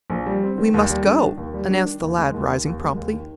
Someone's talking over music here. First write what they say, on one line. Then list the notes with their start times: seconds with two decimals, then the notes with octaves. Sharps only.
"We must go," announced the lad, rising promptly.
0.10 A#1
0.27 G3
0.43 C4
0.58 D#3
0.74 D#2
0.90 G3
1.06 D4
1.22 D#3
1.38 D#2
1.54 G3
1.70 D4
1.85 D#3
2.02 D#2
2.18 G#3
2.34 D#2
2.50 D#3
2.65 D#2
2.81 G#3
2.97 D#2
3.13 D#3